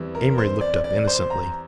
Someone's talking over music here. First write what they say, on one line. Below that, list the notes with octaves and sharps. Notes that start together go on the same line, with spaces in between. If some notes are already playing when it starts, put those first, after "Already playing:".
Amory looked up innocently.
Already playing: E2 E3 G3 C4
A#4
C5
D5
D5
C5
A#5